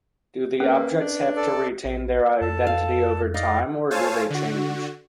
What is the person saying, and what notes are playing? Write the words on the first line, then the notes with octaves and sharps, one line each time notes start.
Do the objects have to retain their identity over time or do they change?
A#3 C#4 B4
D4
A4 D5
A#1
F2 A4 A5
F5
D#4 D5 D#5 F5
A4 C5 C#5 F5 G#5 A5
D3 F#4